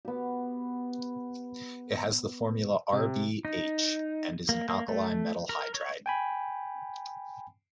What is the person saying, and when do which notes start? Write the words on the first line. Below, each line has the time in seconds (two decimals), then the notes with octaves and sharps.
It has the formula RbH and is an alkali metal hydride.
0.05 B3 G4
2.93 C3
3.45 D#4
4.49 A#3
4.69 A#3
4.88 A3
5.49 A#4
5.74 C#5
6.06 G5 G#5 B5